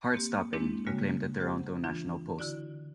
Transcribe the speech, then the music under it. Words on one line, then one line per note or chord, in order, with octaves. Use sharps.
"Heartstopping," proclaimed the "Toronto National Post".
A#3 C4 G4
G#3 A#3 C4 D4 E4 G4
C#3 G3 G#3 A#3 F#4
G4 C5 F#5
E3 D4 F4
D3 E4 F#4 D5